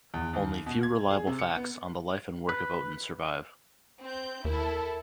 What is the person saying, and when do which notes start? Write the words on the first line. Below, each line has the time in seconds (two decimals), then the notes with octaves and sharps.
Only few reliable facts on the life and work of Oton survive.
0.14 E2
0.33 D#2
0.66 B2
0.83 G#6
1.11 G#4
1.27 C3
1.39 C#7
1.56 B3
2.49 B4
4.02 C4 G6
4.45 D#2 E4 A4 A#4